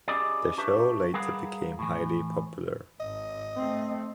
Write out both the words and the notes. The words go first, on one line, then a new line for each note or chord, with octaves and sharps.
The show later became highly popular.
C#4 E4 G4 G#4 D5 D#5
D4 F#4 G4 B4 E5
G3 G#4 A#4 B4 F5 F#5
A2 E3
G#1 D#5
A3 C4